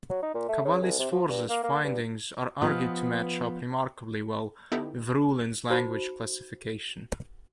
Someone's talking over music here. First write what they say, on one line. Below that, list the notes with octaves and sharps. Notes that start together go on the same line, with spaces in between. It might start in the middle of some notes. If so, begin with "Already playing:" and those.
Cavalli-Sforza's findings are argued to match up remarkably well with Ruhlen's language classification.
F#3
D#4
A#2
A3
C#3
C2
C3
F3
G2
A#3
A#3
G2
F3 B3 F4 G4 D#5
D3 B3 D#4 E4 G4 A4
D#4 F#4 C5 B5